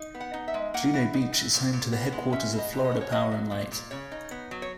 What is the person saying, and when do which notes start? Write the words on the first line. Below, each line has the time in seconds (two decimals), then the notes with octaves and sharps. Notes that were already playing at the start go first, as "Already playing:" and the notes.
Juno Beach is home to the headquarters of Florida Power and Light.
Already playing: D#4
0.15 B3
0.20 F#5
0.34 D#4
0.48 E5
0.54 G#3
0.74 A#3 F#5
0.94 E3
1.14 D#4
1.33 E3
1.53 A#2
1.73 A#2
1.92 B3
2.12 G#3
2.33 C#4 E5
2.53 B2
2.58 D#5
2.73 B2
2.85 D#5
2.92 C#4
3.01 C#5
3.12 F#3 D#5
3.31 F#3
3.51 A#2
3.71 A#2
3.91 C#3 C#5
4.12 D#4
4.31 B3
4.51 F#3
4.62 C#5